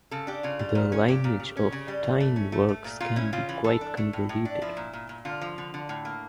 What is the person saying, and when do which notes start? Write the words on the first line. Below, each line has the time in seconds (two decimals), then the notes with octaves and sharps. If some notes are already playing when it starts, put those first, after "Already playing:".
The lineage of tie-in works can be quite convoluted.
0.11 C#3 A4
0.27 D4 G4
0.43 C#3 F4
0.59 G3
0.75 A#2
0.92 C#4
1.08 A#2 G4
1.24 A#2
1.40 C#3
1.57 C#4
1.72 C#3
1.88 G3
2.04 E3
2.20 A3
2.36 C#4
2.52 A3
2.69 A3
2.84 A#2
3.00 A#2 F4
3.16 C#4 E4
3.33 C#3 F4
3.49 E3
3.64 E3 A4
3.81 D4
3.97 A3
4.13 A2
4.29 A2
4.45 D4
4.62 F3 E4
4.77 A#2
4.93 A#2
5.09 A#2
5.25 D3 F4
5.41 F3
5.58 D3
5.74 D3
5.89 A2
6.05 A#3